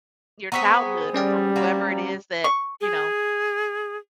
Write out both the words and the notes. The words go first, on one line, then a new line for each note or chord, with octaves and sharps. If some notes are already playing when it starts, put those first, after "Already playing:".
your childhood or from whoever it is that, you know,
B3 C4 G#4 A#5 C#6 B6
G3 C#4 D5 G5
F#3 A#3 C4
C#6
G#4